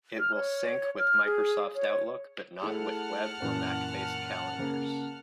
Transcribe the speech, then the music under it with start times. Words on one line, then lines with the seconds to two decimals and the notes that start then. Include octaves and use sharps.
It will sync with Microsoft Outlook, but not with Web or Mac based calendars.
0.20 F6
0.35 C#5
0.99 F6
1.25 G#4
1.75 C#5
2.62 A3 E4 G#4 F#5 A5 F6
3.42 F#2 A#2 E3
4.59 C#3 A#3